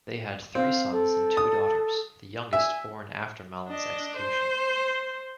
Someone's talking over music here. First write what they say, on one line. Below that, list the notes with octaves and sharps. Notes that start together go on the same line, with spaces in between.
They had three sons and two daughters, the youngest born after Mallin's execution.
C4 F5
A4
D#6
E5 G#5
D4 D#5
C5